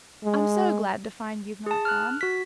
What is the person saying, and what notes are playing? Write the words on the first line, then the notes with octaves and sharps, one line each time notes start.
"I'm so glad to find you've not gone."
G#3
G#4 A5
F6 F#6
F#4 B6